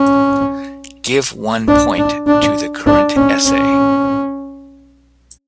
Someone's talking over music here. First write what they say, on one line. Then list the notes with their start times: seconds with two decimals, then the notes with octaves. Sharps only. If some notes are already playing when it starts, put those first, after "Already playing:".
Give one point to the current essay.
Already playing: C#4
1.68 D4
1.98 D4
2.27 D4
2.87 D4
3.16 C#4
3.47 C#4